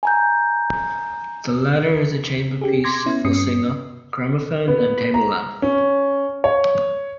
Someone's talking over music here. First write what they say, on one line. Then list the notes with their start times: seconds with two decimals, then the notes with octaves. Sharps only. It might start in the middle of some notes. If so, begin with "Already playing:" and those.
The latter is a chamber piece for singer, gramophone and table lamp.
0.03 G#5 A#5 G6
2.61 C#4 G4 G#4
2.84 C6 D6 G#6 A#6
3.06 B3 C#4 E4
3.25 G2 C#4 D#6 C7 C#7
4.68 B3
5.14 A#5
5.62 C#4
6.44 C#5